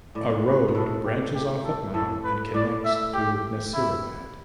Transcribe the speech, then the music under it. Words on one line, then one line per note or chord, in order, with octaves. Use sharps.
A road branches off at Mau and connects to Nasirabad.
A2 D5
A2
B4
B2
A2 A4
G4
G4
A4
A2 A4
B4
A2 D5
E5
G4
E4